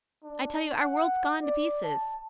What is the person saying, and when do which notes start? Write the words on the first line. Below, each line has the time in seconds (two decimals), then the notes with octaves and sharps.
I tell you--our world's gone to pieces.
0.24 D4
0.81 F#5
1.41 D5
1.84 A5